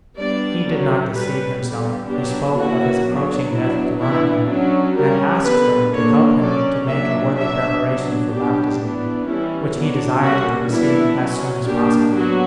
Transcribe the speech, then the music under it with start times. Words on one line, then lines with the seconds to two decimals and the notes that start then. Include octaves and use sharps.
He did not deceive himself. He spoke of his approaching death to Monica, and asked her to help him to make a worthy preparation for Baptism, which he desired to receive as soon as possible.
0.18 G3 B3 D4 D5
0.66 D3 F#3 C#4
1.13 G3 C#4 B4
1.61 D3 G3 B3
2.09 F#3 B3 D4 G4
2.57 E3 A#3 C#4 F#4
3.05 F#3 B3 D4
3.53 F#3 B3 D4 E4
4.01 E3 B3 D4 E4
4.49 F#3 C#4 D4
4.97 G3 C#4 A#4
5.44 D3 G3 B3 B4
5.92 D3 A#3 D4 C#5
6.40 F#3 C#4 D5
6.88 F#3 A#3 D4 E5
7.36 F#3 B3 D4 E5
7.84 F#3 B3 D4
8.31 F#3 B3 D4 G4
8.80 E3 B3 D4
9.27 E3 G3 C#4 E4
9.76 F#3 B3 D4
10.23 D3 G3 A#3 C#4 F#4
10.71 E3 B3 D4 E4
11.19 F#3 C#4
11.67 G3 A#3 D4 G4
12.14 F#3 B3 F#4